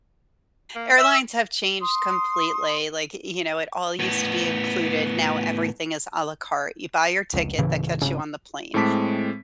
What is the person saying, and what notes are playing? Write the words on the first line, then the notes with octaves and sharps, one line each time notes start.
Airlines have changed completely, like, y you know, it all used to be included, now everything is a la carte; you buy your ticket that gets you on the plane,
A#3
E5 E6
C6 D#6
A2 B3
F1 C#2
D2 A2 C#3 E3
G#1 C#3
A2 G#3 C4 A5 D6 B6